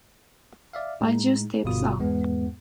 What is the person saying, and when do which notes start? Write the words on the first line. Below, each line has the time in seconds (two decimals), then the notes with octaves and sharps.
Banjo Steps Out.
0.73 D5 E5 F5
1.01 A2 G#3 D#4
1.64 G1 B2 G3 F4 D#6
1.98 E2 G#2 G#3 B3